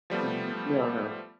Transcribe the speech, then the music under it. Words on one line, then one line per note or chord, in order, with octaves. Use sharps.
Mhm, no no.
F3 G3 A3 B3